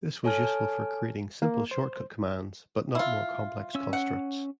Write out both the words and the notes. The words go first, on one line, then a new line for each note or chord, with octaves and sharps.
This was useful for creating simple shortcut commands, but not more complex constructs.
A4 C#5 G#5 A5 F6
A#3
C5
E4 F4
C#4 E6
F#5